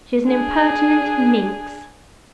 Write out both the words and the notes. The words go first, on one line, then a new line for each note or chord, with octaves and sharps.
"She is an impertinent--minx!"
D4 G#4